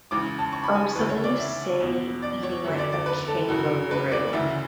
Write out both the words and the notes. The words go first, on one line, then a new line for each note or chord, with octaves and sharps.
Um, so when you say eating, like, a kangaroo,
C#2 C#3 E3 D6
A5
C#6
B5
G#5
D2 C#3 E3 B4
C#5
D5
E5
E2 B2
D5
C#5
F#2 D3
D5
D5
B4
A4
F#2 C#3 E3
B4
D5
D2 C#3 E3 E5